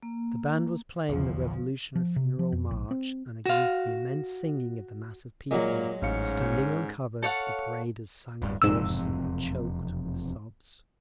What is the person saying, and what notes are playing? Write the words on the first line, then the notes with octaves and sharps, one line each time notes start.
The band was playing the Revolutionary Funeral March, and against the immense singing of the mass of people, standing uncovered, the paraders sang hoarsely, choked with sobs....
A#3
F1 A#1 E2 D3 F3
F3
C3
F3
F2
A#1
C4
F#4 F5
A#2 F#3 G#3 A#3
A1 G#2 C#4 F5 C#7
A4 C#5 F5 F#5
D1 G2
E1 F2 G#2 C3 E6